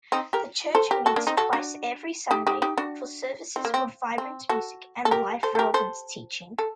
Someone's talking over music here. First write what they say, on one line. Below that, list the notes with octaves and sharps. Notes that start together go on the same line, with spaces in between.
The church meets twice every Sunday for services with vibrant music and life-relevant teaching.
C4 D#4
G4 A#4
A4 C5
G4 A#4
F#4 A4
A#3 D4
C4 D#4
F#4 A4
D4 F#4
D#4 G4
D#4 G4
D#4 G4
D4 F#4
C4
A#3
C4
C4
F#4 A4
A4
G4 A#4
A4 C5
A4
G4 A#4
A4 C5
A4